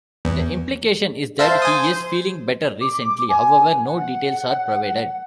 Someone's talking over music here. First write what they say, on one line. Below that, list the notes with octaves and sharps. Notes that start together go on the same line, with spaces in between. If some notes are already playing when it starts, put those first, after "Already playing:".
The implication is that he is feeling better recently; however, no details are provided.
E2
C5 E5 F5 A5
G#5 D#6
D6
G#5
F#5